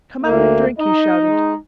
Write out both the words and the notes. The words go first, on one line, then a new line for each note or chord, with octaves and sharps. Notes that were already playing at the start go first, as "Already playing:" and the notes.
"Come out and drink," he shouted.
D2 A#3
D#4 D#5
G#3